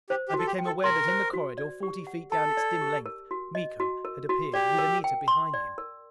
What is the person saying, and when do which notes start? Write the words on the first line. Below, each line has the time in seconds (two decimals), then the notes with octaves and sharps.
I became aware that in the corridor, forty feet down its dim length, Miko had appeared with Anita behind him.
0.10 G4 C5
0.28 G4
0.34 F#4 A4
0.47 G4
0.59 G5
0.66 A4
0.84 A#4 C6
1.08 C5
1.33 F#4
1.58 D5
1.83 G4
2.07 F#5
2.31 A4 A5
2.57 D5
2.81 G4
3.06 A#4
3.31 F#4
3.55 D#5
3.80 F#4
4.05 A#4
4.29 F#4
4.54 G4 D5
4.79 A#4
5.04 G5
5.28 C6
5.54 D5
5.78 A#4